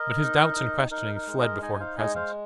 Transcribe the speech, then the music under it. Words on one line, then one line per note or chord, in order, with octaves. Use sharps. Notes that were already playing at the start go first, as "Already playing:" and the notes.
But his doubts and questionings fled before her presence.
Already playing: A#4 D#5
D#4
D#4
D#4 A#4
A#4
G#3
A#4 D#5
D#4 D#5 G#5
G#5
C5 F5
G#3 D#5 G#5
C5 F5